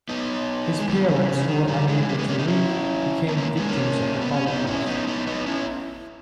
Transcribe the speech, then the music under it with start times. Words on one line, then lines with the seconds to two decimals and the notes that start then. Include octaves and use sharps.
His parents, who were unable to leave, became victims of the Holocaust.
0.09 B3 D#4
0.79 G#3
0.88 D#3 G3
1.08 C#3 E3
1.28 C#3
1.41 E3
1.48 D#3
1.68 D#3 G3
1.88 E3 G#3
2.09 G3 A#3
2.18 G#3 B3
2.28 A#3 C#4
2.38 B3 D#4
2.48 C#4 E4
3.28 B3 D#4
3.37 A#3 C#4
3.57 G#3 B3
3.67 A#3 C#4
4.21 B3
4.34 C#4
4.47 B3 D#4
4.67 C#4 E4
4.86 B3 D#4
5.07 B3 D#4
5.27 B3 D#4
5.46 C#4 E4